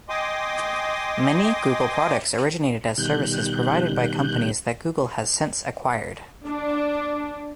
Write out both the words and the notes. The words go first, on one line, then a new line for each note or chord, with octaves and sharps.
Many Google products originated as services provided by companies that Google has since acquired.
D#5 G5 G#5 C6 D6 D#6
B2 D#3 G3 F#6 G6
D4